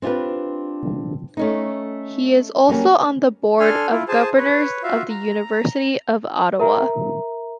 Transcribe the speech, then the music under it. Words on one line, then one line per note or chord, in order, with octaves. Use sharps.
He is also on the board of governors of the University of Ottawa.
C4 D4 F4 G4 B4
A3 C#4 D#4
F#3 G3 A#3 C#4
D4 A4 G#5 C6 F6
E4 F4
G#4 C5 G#5 A5
B4 C#5
F4 F#4 E5 F5
A#5
A#4 E5 A#5